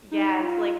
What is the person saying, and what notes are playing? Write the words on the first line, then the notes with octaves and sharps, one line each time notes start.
Yeah, it's, like,
D#4
F4